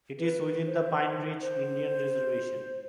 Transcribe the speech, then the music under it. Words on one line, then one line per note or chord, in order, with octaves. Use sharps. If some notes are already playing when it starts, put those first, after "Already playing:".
It is within the Pine Ridge Indian Reservation.
B4
C5
C5